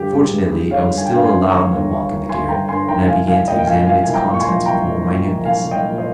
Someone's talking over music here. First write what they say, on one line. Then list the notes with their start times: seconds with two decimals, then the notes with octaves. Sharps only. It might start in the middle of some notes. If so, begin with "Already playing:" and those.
Fortunately, I was still allowed my walk in the garret, and I began to examine its contents with more minuteness.
Already playing: G1 G4
0.12 G1 G4
0.18 G#4
0.32 G2
0.45 G#4
0.52 D#3
0.71 G1 C#5 F5
0.91 G1
0.98 G#5
1.06 G5
1.10 G2 F5 G#5
1.24 G#5 C6
1.30 D#3
1.50 G1 A#5 C#6
1.70 G1
1.90 G2
2.09 D#3
2.29 G1 G#5 C6
2.48 G1 G5 A#5
2.69 G2 G#5 C6
2.88 D#3 G5 A#5
3.08 C2 F5 G#5
3.28 C2 F5 G#5
3.48 A#2 D#5 G5
3.58 G5
3.67 F3 F5 G#5
3.87 C2 F5 G#5
4.04 C2 G#5
4.14 G5 A#5
4.27 A#2
4.34 C#6
4.40 G#5 C6
4.46 F3
4.66 C2 G5 A#5
4.86 C2
5.06 A#2
5.26 F3
5.45 C2 F5 G#5
5.65 C2
5.71 D#5 G5
5.85 A#2
5.98 C5 D#5